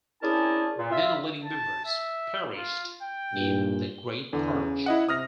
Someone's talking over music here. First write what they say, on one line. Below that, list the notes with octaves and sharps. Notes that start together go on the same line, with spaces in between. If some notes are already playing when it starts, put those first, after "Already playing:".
Many leading members perished in the Great Purge.
C#4 D4 E4 G#4 A#4 A5
A#2
F4 E5
A5
E5
F4
G5
G2 A#2
E2 D3
C#3
E4 D#5 F#5
C3 D#6 F6 A#6